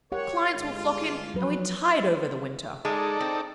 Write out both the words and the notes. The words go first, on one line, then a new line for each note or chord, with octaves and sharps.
Clients will flock in; and we tide over the winter.
G4 A#4 C#5 F#5
G1 G#3 F4
F3 F#3 B4
G#3 D#4 A4 D5
C4